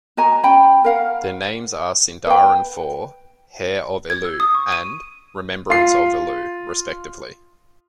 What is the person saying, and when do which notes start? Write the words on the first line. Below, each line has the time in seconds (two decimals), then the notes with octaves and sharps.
Their names are Sindarin for "Heir of Elu" and "Remembrance of Elu", respectively.
0.17 F#4 D#5 G#5 A#5
0.44 C#4 G5 B5
0.84 A#4 F5 F#5
2.27 B4 G5
4.10 G#6
4.25 E6
4.40 D#6
4.55 C#6
4.72 D#7
5.70 F4 C7